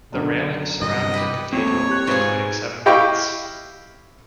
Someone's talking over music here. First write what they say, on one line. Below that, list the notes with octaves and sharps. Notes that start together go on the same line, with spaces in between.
The railings surrounded the cathedral, including seven gates.
F#2 B2 D3
G2 C3 E3 D#5
G4 B4
D#1 A1 C4 A4 C#5
G4 F#6
G#2 F4 G#4 B4
E4 G4 D#5 F5 G5 C#6